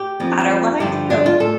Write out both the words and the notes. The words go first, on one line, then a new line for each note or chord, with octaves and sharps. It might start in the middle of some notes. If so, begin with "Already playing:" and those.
no matter what I do,”
Already playing: G4
F2 F3
G2 D3 F3 G4
D4
F4
A2 A4